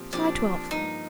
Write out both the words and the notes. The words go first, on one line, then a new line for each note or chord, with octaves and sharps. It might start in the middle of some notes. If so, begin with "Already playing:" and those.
July Twelfth.
Already playing: A#2 F3 C4 G4
A#2 F3 C4 D4 G4
G2 F3 A#3 D#4